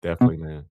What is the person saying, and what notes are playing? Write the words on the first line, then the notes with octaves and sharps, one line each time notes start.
Definitely, man.
B2